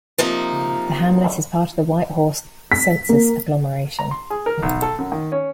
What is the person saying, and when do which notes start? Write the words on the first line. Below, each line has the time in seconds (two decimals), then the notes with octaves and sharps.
The hamlet is part of the Whitehorse Census Agglomeration.
0.18 C3 F3 A#3 D#4
2.72 B6
3.09 A#3
3.99 A#5
4.11 C6
4.30 G#4
4.46 A#4
4.63 B1
4.82 A4
4.98 F#2
5.12 D#3
5.32 C#4